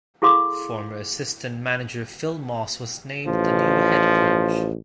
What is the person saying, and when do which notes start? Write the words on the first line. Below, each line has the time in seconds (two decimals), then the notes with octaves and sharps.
Former assistant manager Phil Moss was named the new head coach.
0.22 E4 G#4 A4 F5 C6 D6
3.27 A1 F3